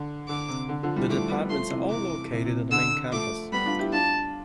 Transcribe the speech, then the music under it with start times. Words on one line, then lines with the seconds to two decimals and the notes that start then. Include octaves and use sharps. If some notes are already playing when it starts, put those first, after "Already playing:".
The departments are all located on the main campus.
Already playing: D3
0.29 D3 D6
0.49 C3
0.69 D3
0.83 D3 F3
0.96 E3 G3
1.09 F3 A3 D6
1.29 G3 B3
1.50 F3 A3 C6
1.70 C3 E3
1.90 C3 E3 D6
2.32 C3 E3
2.45 C3
2.72 D3 E6
3.12 F3 A3 D6
3.52 G3 B3 B5
3.65 D4 F4
3.79 E4 G4
3.92 D4 F4 A5